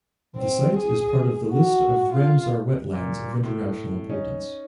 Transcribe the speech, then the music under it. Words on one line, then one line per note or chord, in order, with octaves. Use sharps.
The site is part of the List of Ramsar wetlands of international importance.
C4
G#4
F#4
F4
A#2
A2
C#4 D#4